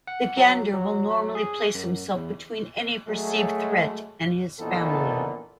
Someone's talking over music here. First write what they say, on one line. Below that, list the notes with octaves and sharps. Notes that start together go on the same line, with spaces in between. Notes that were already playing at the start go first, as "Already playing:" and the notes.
The gander will normally place himself between any perceived threat and his family.
F#5
F#3
F#3
G#4
F#2
E2
F#3 G#3 A3
A#1 A#2 E3 B3 D#4 A4